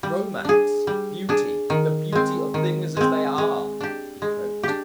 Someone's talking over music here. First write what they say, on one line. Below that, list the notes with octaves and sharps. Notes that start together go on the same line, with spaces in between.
"Romance--Beauty--the Beauty of things as they are!" he croaked.
G3
D4 G#4
G3
D4 G#4
D#3
G#3 C4
D#3
G#3 C4
G#3
D4 G4
G#3
D4 G4